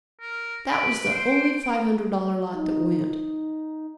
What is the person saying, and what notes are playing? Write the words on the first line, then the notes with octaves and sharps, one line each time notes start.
That was the only five-hundred-dollar lot that went.
A#4
B4 D7
C5
D#4